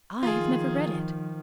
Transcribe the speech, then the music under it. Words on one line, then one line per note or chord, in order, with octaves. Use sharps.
"I have never read it."
D#3 F3 F4 G#4